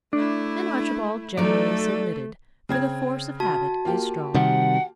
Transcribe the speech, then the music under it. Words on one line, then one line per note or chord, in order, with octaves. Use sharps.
And Archibald generally submitted, for the force of habit is strong.
A3 D4 E4
F#3 A3 D#4 A4 D5
C#3 C4 G#6
F#4 A5
A#3 F4 G4
C3 D#3 G3 F#5